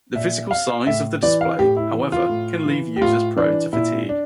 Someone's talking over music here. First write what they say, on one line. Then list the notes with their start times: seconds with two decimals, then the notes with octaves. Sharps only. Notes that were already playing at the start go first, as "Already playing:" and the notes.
The physical size of the display, however, can leave users prone to fatigue.
0.15 A#2 E5
0.51 F5
0.87 A2 E5
1.23 E3 D5
1.41 F5
1.59 A2 G4
1.77 E4
1.94 E3
2.12 F4
2.29 A2
2.66 E3
2.96 G4
3.01 A2 F4
3.36 E3 D4
3.73 A#2 E4
4.09 D4